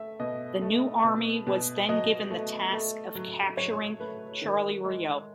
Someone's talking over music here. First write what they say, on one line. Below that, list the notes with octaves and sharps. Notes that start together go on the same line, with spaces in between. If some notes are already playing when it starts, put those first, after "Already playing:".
The new army was then given the task of capturing Charleroi.
Already playing: A3 E5
B2 D#5
A3
B2
B2
F#3 D#5
A3
A3
F#3
F#3 C#5
A3 B4
D#3
G#3